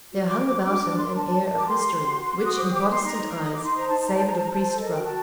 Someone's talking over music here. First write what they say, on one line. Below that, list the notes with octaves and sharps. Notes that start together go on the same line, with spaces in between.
There hung about him an air of mystery, which, in Protestant eyes, savoured of priestcraft.
F#4
F#4 D6
F#4 D6
C6
D4 D6
D4
A#4 C6
D4 A5
A#4
A#4
D6
G4 C6
G4
F#4
F#4
F#4 D6
D#6
C5 D6
D#6
G4 D6
D#4 C6
D#4 A#5
D#4
D#4 D#6
D6
D#4
C6
C5 A#5
A5
D#4
A5
C5 A#5
A5
C5 A#5
A5
C5 A#5
A5
A4
A#4 D#5
G5
F#4
A5